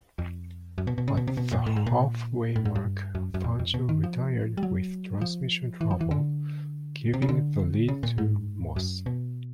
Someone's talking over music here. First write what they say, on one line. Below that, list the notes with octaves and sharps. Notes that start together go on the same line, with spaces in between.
At the halfway mark, Fangio retired with transmission trouble, giving the lead to Moss.
F2
F#2
B2
B2
C#3
B2
C3
B2
A#2
A2
G#2
A#2
A2
G#2
G2
F#2
F#2
F2
F2
B2
D#3
F3
G3
F#3
F3
E3
F3
E3
D3
C3
C#3
D3
C#3
A#2
G#2
F#2
B2